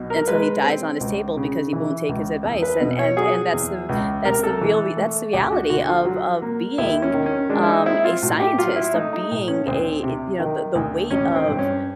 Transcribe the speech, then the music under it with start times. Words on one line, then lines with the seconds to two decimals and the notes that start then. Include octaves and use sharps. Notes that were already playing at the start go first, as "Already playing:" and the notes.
until dies on his table because he won't take his advice, and and and that's the that's the real rea that's the reality of of being, um, a scientist, of being a you know, the the weight of
Already playing: B1 B2
0.10 A#4
0.28 G#3 B4
0.64 C4
1.00 C#2
1.37 C#3
1.73 E3
2.09 C#2
2.44 E2
2.62 B4
2.81 B2
2.99 C#5
3.17 F#3 G#4
3.53 E2
3.89 C#2
4.25 C3 A#4
4.43 A4
4.61 E3
4.97 A3
5.33 D2 G4
5.52 F#4
5.69 D3 F#4
5.88 F4
6.05 F#3
6.42 A#3
6.78 D#2 E4
7.02 C#4
7.13 D#3
7.26 C#4
7.49 G#3 D4
7.63 E4
7.69 D#4
7.86 C4 E4
8.04 F4
8.22 A2 F#4
8.40 G4
8.58 F#3 F4
8.76 E4
8.94 A3 D#4
9.13 D#4
9.31 A2
9.48 C#4
9.66 D2 C4
10.03 C3
10.39 D#3
10.75 D2
11.11 A1 C#4
11.35 C4
11.47 G2
11.59 C#4